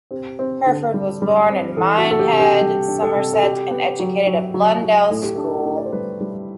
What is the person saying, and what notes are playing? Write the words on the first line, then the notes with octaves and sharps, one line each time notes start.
Hurford was born in Minehead, Somerset, and educated at Blundell's School.
C4 G4
C4
D3
G3
G3
C4
E3 A4
F#4
D4
A4
G4
C3
G4
G3
D4
A4
C3
A4
F#4 G4
B3
F#3
F#3
F#3
F#3
A2 A4
G4
D4 A4
D4
D5
C5
G3 B4
G3